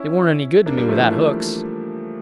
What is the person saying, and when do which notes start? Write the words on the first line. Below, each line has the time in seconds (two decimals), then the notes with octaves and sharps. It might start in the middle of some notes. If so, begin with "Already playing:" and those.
It warn't any good to me without hooks.
Already playing: C#4 E4
0.66 A#3 D4
0.78 G3 A#3
0.88 F3 A3
1.00 E3 G3